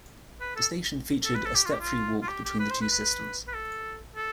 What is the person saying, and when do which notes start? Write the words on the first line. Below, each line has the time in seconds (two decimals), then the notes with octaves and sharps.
The station featured a step-free walk between the two systems.
0.41 B4
0.56 A4
1.25 A4
1.35 B4
1.45 A4
1.55 G4
1.66 F4
1.73 G4
1.81 F4
2.22 F4
2.28 G4
2.44 G4
2.60 B4
2.70 C5
2.81 B4
2.91 B4
3.48 B4
3.54 A4
4.16 A4